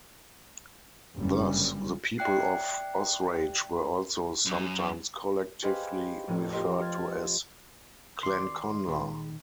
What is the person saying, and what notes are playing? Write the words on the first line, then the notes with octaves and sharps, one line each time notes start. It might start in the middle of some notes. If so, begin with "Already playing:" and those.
Thus, the people of Osraige were also sometimes collectively referred to as Clann Connla.
F#1 G2 D3 G3 C#4
D5 E5 G5 F#6 C7
F#2
G4 G#4 B4 C5 D#5 F5
F1 A2 F3 A#4 D#7
C4 F4 G4 A#4 C5 D#5
F6 G#6 A6
D#3 C4 D5 C6
A#2 D#3 G#3 B5